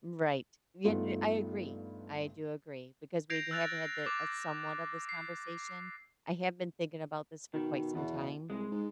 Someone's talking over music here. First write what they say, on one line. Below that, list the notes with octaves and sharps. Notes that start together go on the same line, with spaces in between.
Right. Ye n I agree, I do agree because we'd have had the a somewhat of this conversation. I have been thinking about this for quite some time,
G2 A3 B3 D#4 F4
G6 G#6 A#6 C7 D7 F7
E6 F#6 A6 F7
D6
C7
B2 D#3
E2 B2
C2 G#3
G#2